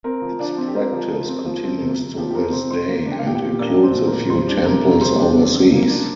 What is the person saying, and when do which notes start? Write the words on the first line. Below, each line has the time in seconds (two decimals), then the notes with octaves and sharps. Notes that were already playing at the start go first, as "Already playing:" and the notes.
Its practice continues to this day, and includes a few temples overseas.
0.04 C4 A#4
0.22 F3
0.39 F3 D4 D5
0.58 C4
0.68 G4
0.75 C4 A#4
0.93 F3
1.11 F3
1.28 C4
1.46 F3
1.64 C4
1.81 C3
2.00 C3
2.17 F3 G4
2.31 G4
2.35 C4 A#4
2.52 C3 C4 C5
2.71 C3 C5 C6
2.88 A#3
3.06 D4
3.12 G5
3.19 F5
3.24 A#2 G4 G5
3.35 G4 G5
3.41 A#2
3.59 A#3 D4 D5
3.77 D4
3.83 C4 C5
3.94 A#2
4.07 A#4
4.13 A#2
4.30 G3 C5 C6
4.48 D4
4.65 C3 A#4 A#5
4.83 C3
4.91 A#5
5.01 G3 C5 C6
5.18 D4
5.36 C3
5.54 C3
5.72 A#3
5.90 D4